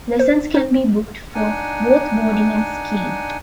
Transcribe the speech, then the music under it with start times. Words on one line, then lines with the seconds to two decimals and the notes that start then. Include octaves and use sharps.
Lessons can be booked for both boarding and skiing.
0.19 C5
0.54 D#4 C5
1.35 D4 D#4 F#5 G#5